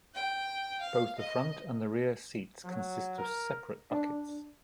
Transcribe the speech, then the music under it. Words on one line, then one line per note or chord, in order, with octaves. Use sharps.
Both the front and the rear seats consist of separate buckets.
G5
F5
D#5
F#3
A#4
D4